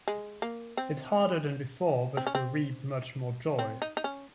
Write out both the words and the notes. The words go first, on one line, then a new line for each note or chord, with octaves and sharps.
It's harder than before; but we reap much more joy.
G#3
A#3
C4
C4
C#4
C4
C4
D#4
D#4
C#4